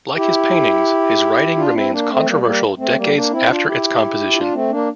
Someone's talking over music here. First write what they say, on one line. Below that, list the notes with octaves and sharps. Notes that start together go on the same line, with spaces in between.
Like his paintings, his writing remains controversial decades after its composition.
E4 G4
D4 F4
C4 E4
A#3 D4
A3 C4
G3 A#3
G3 A#3
A3 C4
G3 A#3
A#3 D4
C4 E4
D4 F4
E4 G4
D4 F4
A3 C4
A#3 D4